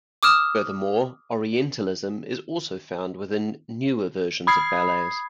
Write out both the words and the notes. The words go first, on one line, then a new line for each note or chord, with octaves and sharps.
Furthermore, Orientalism is also found within newer versions of ballets.
D6 D#6 F6 E7
B5 D#6 G#6 C7